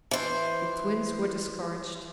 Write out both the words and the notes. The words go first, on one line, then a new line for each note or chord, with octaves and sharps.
The Twins were discouraged.
E3 C5